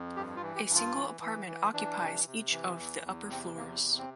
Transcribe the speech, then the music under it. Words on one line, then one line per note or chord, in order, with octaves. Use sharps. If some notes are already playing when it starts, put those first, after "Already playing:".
A single apartment occupies each of the upper floors.
Already playing: F2
G2 G4
F4
E3
G4
G2
F4
E3
E3
E3
E3 D4
C3
C3
E3
E2
E2
C3 C4
E2 A#3
C3
C4